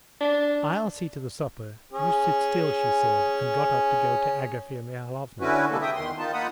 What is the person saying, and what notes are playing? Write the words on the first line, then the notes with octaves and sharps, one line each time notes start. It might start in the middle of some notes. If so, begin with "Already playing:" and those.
"I'll see to the supper, you sit still," she said, and got up to go to Agafea Mihalovna.
D4
C#4 G#4
D3 C#4 E4 F#4 B4
C3 G3 G#3 A#3 A4
E5 G5 D#6
E2 D#3 C6
D#3 D#4 F4 A5
A#3 D#4 F4 F#5 B5 D#6